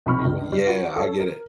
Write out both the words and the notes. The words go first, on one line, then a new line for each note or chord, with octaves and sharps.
You yeah, I get it.
B1 C3 F3 B5 C#6 F6
C#2 G2
G3
F4 F#4 B4
A4 C#5
A#4